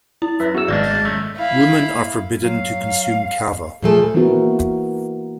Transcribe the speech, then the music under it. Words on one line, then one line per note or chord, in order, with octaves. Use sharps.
Women are forbidden to consume kava.
E4
F#2 B4 E5
B3 F#4 G#4 E6
G#1 G#3 A#3 C4 D4 D5
G6 A6 A#6
F#2 A3
E4 F5
F#3 F5
A#2 F3 A3 G#4
E3 A#3 B3 E4 F#4 A#4